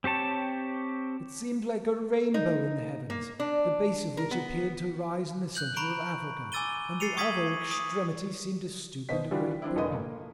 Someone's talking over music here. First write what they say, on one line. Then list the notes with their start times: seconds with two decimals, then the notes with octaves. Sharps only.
It seemed like a rainbow in the heavens, the base of which appeared to rise in the centre of Africa, and the other extremity seemed to stoop into great Britain.
0.04 C4 G4 C#5 A5
2.34 D#4
3.10 A#3
3.40 D4
4.17 A#4
4.31 B3
5.55 F#6 G6 F#7
5.77 A#5 B5 C#6 D7
6.52 G#5 D6 E6 A6 D#7 G7
7.00 A6 C7 C#7 D#7 F7
7.17 C#6 D#6 G#6 B6 D#7 F#7
7.71 D#6
9.09 B2 C5 D#5 B6
9.31 E3 G3 D4 F4 F#4
9.62 C4 D4 E4
9.75 F1 A#1 A#2 B4 D#5 D#6
9.94 A#3